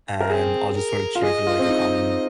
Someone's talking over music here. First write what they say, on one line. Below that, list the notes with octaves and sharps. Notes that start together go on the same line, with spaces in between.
and I'll just sort of cheer for like a common
A#4
C4 G#4
A#4
F4
G#4 D#5
F4
C4
D#4